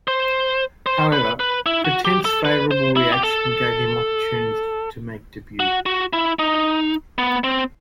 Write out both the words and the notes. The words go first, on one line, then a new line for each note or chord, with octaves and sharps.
However, pretense favorable reaction gave him opportunity to make debut.
C5
C5
B4
B4
E4
F#4
G4
A4
B4
C5
E4
G4
A4
F#4
F#4
E4
D#4
B3
C4